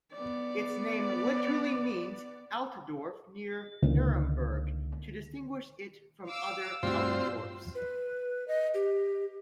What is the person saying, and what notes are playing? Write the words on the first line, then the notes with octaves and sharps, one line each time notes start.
Its name literally means "Altdorf near Nuremberg", to distinguish it from other Altdorfs.
B3 D5
C#2 D3 D#3 A#3
F5 D6 E6
G2 G3 A3 C4 F4 F#4 C5 E6
B4
D#5
G4